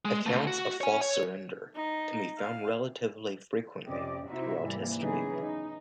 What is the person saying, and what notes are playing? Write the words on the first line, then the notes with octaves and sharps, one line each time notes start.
Accounts of false surrender can be found relatively frequently throughout history.
G#3
C#3 A3
F#4
C#5 G#5
C#5
D#4
F5
F2 C3 C#4 G4 D5 D#5
C3 C4 D#4 E4 F#4 E5
G#2 C3 E3 G3 A#3
C#3 E3 F#3 B3 D#4 G#4
D#4